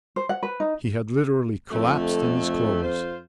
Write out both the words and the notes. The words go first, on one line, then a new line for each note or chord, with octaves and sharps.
He had literally collapsed in his clothes.
C5
F#5
B4
D#4
F2 D3 F3 A3
F4 C5